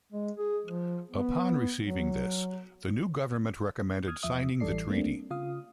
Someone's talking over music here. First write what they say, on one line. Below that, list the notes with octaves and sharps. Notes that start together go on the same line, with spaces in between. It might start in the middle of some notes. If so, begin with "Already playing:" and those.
Upon receiving this, the new government recommended signing the treaty.
G#3
G#4
F3
B3
F#3
D#6 F6 G#6
E2 F3 E5 D#6
A1 E3 G3 A4 D5 C7
G3 A3 A#3 C4 D4
C#3 F4 F5 D#6